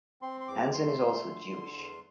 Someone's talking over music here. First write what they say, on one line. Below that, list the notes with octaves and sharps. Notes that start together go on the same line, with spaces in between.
Hansen is also Jewish.
C4 C6
C6
E2 D6
A3 C6
A3
D3
D3
E2